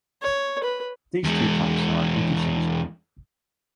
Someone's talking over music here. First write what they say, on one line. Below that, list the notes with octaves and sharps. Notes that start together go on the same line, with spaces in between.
These two types are interchangeable.
C#5
B4
E2 G#3